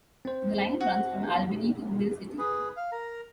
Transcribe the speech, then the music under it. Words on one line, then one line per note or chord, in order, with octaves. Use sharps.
The line runs from Albany to Mill City.
C4 C5
F#4
G#4 B4
F5
A#4 A#5